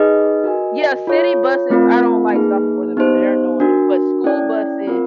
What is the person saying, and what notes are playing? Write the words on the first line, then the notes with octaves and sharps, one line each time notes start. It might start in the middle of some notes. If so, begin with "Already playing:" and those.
Yeah, city buses, I don't like stopping for them either. They're annoying, but school buses
Already playing: D#4 G#4 B4 D#5
F#4 A#4 D#5 G#5
F4 A4 C#5
A3 C4 F4 A#4
A#3 D#4 G#4 B4
B3 D#4 G4 C5 D#5
D4 F#4 A#4
C#4 E4 A4 D5 G5
C4 F4 A#4